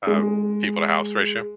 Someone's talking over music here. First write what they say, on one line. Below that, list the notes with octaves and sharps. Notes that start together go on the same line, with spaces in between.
uh, people to house ratio
G#3